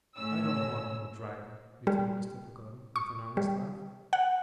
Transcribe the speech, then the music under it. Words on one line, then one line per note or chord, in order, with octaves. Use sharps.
I don't want no driving,' returned Mr. Peggotty with an honest laugh.
A2 C#4 E6
G3
C#6
G3
F#5